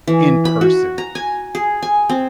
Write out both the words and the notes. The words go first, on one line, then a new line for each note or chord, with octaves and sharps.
in person?
E3
B5
F#4
A#5
G#5
G#4
G#5
C4